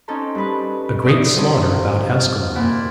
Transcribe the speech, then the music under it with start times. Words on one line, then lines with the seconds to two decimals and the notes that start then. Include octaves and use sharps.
A Great Slaughter About Ascalon.
0.08 C4 C#4 D#4 A4 A5 A#5
0.35 G2 B4
1.04 D5 E5 D#6
1.37 C3 F3 G3 C#4
2.10 F4
2.55 D2 A#2 E3 C4 E4 F#5